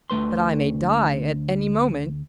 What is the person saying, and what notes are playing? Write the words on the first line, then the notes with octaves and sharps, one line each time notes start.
"But I may die at any moment."
D2 D3 A3 B4 C6